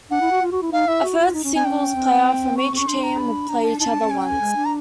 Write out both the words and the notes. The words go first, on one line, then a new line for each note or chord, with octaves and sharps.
A third singles player from each team would play each other once.
D4 F#5
E4
F#4
F4
F#4
E4
D#4 F5
E4 E5
F#4
F4
D#4
C#4
C4 G#5
C#4 G5
C4
C#6
C4
C#4 C#6
D4 C6
A#5
B5
D4 A#5
A5
D#4 A5
C#4
D4
C#4
G#5
G5
G#5
G#3
D4
A#5